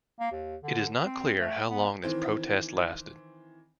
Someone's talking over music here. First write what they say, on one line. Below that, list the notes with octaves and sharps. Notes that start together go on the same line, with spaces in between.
It is not clear how long this protest lasted.
A#3
D#2
D3
C4
A3
B3
D#3 E3 C4